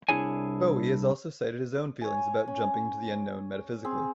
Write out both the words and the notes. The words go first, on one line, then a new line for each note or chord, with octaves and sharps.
Bowie has also cited his own feelings about jumping into the unknown metaphysically.
C2 D4 E4 G#4 C#5 G#5
C#5 G#5
C#4
C4 G#4